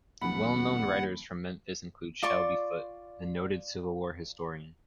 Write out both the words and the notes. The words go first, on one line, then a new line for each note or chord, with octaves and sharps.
Well-known writers from Memphis include Shelby Foote, the noted Civil War historian.
D#1 B1 F2 F#5 B5
F4 D5 C6 C#6